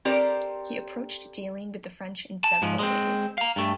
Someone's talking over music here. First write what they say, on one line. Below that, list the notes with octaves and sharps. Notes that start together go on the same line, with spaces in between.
He approached dealing with the French in several ways.
C4 G4 A4 A#4 C5 D5
A5
G#2 F3
G#3 C4
F5 A#5
G2 A3